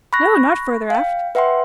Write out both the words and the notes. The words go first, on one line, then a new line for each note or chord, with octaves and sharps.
"No, not further aft."
B5 C#6 F#6 A#6
F5 G5
B4 E5 F#5 G5 C6